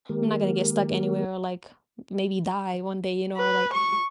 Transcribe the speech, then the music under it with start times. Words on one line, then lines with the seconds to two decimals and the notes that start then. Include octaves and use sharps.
I'm not gonna get stuck anywhere or, like, maybe die one day, you know, or like,
0.09 D#3 G#3 A#3 G4 A#4
3.37 B4
3.73 C#6